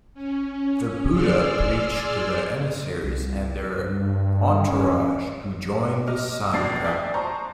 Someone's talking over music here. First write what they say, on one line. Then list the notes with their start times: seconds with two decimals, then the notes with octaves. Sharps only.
The Buddha preached to the emissaries and their entourage, who joined the "Sangha".
0.14 C#4
1.12 G#4 D5 C6 E6 F6
3.03 C2
3.84 G2
4.67 C#4
6.08 D#5 D6 F6
6.53 F1 C#2 B2 D4 A6 C7
6.84 D5 E5 G5 G#5 D#6 F#6
7.14 C5 A5 A#5 C6 C#6